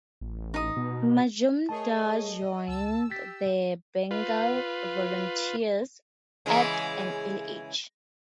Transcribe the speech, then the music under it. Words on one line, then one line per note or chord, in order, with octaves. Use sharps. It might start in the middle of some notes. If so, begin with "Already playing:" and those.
Majumdar joined the Bengal Volunteers at an early age.
A1
D#4 D#6
B2
A3 G#4 A#4 C#5 D#5 A5
C#2 A5 E6
G4 A6 B6
F4 B4
C#3 E3 G#3